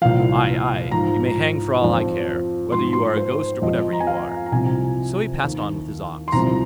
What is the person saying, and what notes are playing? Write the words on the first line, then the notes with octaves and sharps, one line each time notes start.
Aye, aye! you may hang for all I care, whether you are a ghost or whatever you are.' So he passed on with his ox.
C2 A#2 F3 F5
G#2 F3 A#5
F2 F3
G#2 F3 C6
C6
C5
F2 F3 D#5
A#5
G#5
F5
A#5
C2 C3 F3 G#5
D#2 D#3
C6
C2 C3 F3 A#5